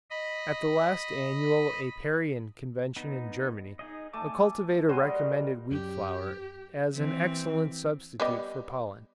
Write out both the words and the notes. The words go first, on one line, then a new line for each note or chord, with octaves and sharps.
At the last annual Apiarian Convention in Germany, a cultivator recommended wheat flour as an excellent substitute for pollen.
D#5 B5
B3 D#4
D#4 G#4 D#5
A3 G#5 A5 D6
G3 F#4 C5 C#5 G#5 C6
G3 A#4 D#5
F#2 G4
E3 C4
G3 B3 D#5